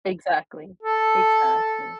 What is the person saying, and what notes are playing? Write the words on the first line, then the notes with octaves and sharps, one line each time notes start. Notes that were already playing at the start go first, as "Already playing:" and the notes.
Exactly. Exactly.
A4